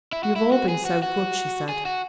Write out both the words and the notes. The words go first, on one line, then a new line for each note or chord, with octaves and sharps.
"You've all been so good!" she said.
E4
F#4
E4
F#4
G#4
F#4
F#4
G#4
F#4